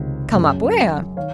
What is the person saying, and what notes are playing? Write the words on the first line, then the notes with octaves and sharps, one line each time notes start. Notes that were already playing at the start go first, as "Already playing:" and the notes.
"Come up where?"
Already playing: C#2 C3 D#3
F#2 C#3
D#3 C#5 F5